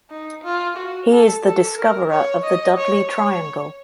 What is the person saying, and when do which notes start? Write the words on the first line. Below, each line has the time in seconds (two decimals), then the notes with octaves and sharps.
He is the discoverer of the Dudley triangle.
0.10 D#4
0.44 F4
0.76 F#4
1.10 A4
1.44 A4
1.77 A#4
2.10 C#5
2.43 D#5
2.77 C#5
3.10 C#5